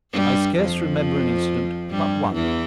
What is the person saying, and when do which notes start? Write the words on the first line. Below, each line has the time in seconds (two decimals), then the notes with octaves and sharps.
I scarce remember an incident but one.
0.12 G2 G3
0.57 F2 F3
1.90 G2 G3
2.34 E2 E3